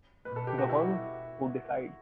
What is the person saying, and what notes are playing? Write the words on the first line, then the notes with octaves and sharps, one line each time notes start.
The Ones Who Decide.
B2 B4
A4
G4
F#4
E4
F#4